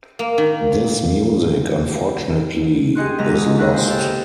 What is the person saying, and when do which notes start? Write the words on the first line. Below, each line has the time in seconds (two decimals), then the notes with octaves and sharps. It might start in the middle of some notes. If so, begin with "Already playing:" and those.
This music unfortunately is lost.
0.19 A#3
0.38 D#3
2.95 G4 G#4 D#5 F#5 C6 F#6
3.18 E2 G#2 C#3 G#3 D#5 A#5
3.58 D#2 G#2 C3 E4 F#6
3.74 C5
3.89 G4 A4